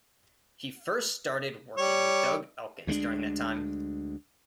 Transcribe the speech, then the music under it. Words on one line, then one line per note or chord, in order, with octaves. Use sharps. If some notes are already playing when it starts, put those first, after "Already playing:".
He first started working with Doug Elkins during that time.
G3 C#5
D2 G#3 A3 D4